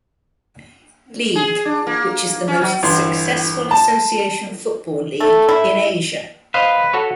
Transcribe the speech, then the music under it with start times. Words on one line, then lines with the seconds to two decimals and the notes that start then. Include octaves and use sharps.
League, which is the most successful association football league in Asia.
1.36 G#4
1.65 D4
1.87 A#3
2.48 C#4
2.61 F#3
2.83 G1 E3 C6
3.71 A5
5.20 A3
5.49 E4
6.54 B4 C5 D#5 F5
6.93 F#4 A4 C#5